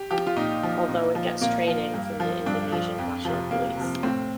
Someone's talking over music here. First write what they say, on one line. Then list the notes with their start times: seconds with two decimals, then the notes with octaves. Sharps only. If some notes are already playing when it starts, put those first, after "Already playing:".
Although it gets training from the Indonesian National Police.
Already playing: G4
0.11 F3 G4
0.27 F4
0.36 A#2 D#4
0.63 F3
0.89 A#2
1.15 F3
1.41 A#2 A#3
1.67 F3
1.94 G2
2.20 F3
2.46 G2 D4
2.72 F3
2.98 F2
3.25 C3 F3
3.51 F2 A#3
3.77 C3 F3
4.03 A2 C4